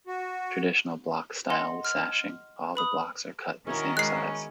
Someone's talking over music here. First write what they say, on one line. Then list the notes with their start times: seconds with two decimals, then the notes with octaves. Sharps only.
Traditional Block Style with Sashing - All the blocks are cut the same size.
0.07 F#4
1.50 D#5 F#5 C6
1.85 F6
2.75 B4 B5 D#6
3.67 D#3 C#4 E4 F#4 A#4
3.97 G#3 B3 C#4 D5 F#6 C7